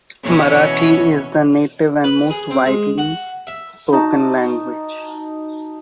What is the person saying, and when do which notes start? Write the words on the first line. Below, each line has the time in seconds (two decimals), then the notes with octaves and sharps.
Marathi is the native and most widely spoken language.
0.24 B2 E3 C#4 C#5
2.04 B4
2.30 G#4
2.51 C4
2.66 G#3
2.98 F#4
3.47 E5
3.92 D#4 F#4 A5